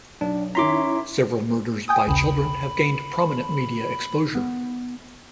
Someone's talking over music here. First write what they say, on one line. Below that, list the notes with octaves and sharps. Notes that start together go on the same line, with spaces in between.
Several murders by children have gained prominent media exposure.
B1 D4
D#3 C#4 E4 A#5 C6 D6 B6
G5 G#5 D#6
A#1 D#2 C#3 B5
B3